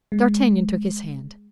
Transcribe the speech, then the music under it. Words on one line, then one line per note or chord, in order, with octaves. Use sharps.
D'Artagnan took his hand.
G#3